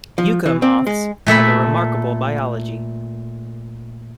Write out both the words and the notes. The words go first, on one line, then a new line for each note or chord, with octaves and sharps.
"Yucca moths" have a remarkable biology.
F3
E3
C4
G#3
A#2 A3 E5 B5